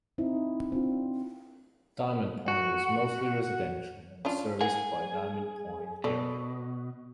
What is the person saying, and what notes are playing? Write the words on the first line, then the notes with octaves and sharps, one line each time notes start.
Diamond Point is mostly residential and is serviced by Diamond Point Airport.
C4 D#4 E4
C4 D4 F4
F#4
C#4 D4 F4
G#4 A#4 F#5
B2 A4 D5